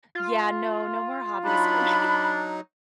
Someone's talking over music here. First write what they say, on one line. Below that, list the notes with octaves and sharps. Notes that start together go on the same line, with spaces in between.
Yeah, no, no more hobbies for me,
F4
F#3 D4 D#4 B5